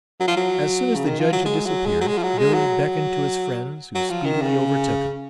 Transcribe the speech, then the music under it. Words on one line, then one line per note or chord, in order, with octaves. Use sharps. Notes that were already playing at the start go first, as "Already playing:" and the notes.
As soon as the judge had disappeared, Billy beckoned to his friends, who speedily overtook him.
F#3
F3
F#3
C#3
D#3
F3
F#3
G#3
F#3
G#3
F#3
G#3
F3
F#3
G#3
F#3
F#3
F3
D#3
C#3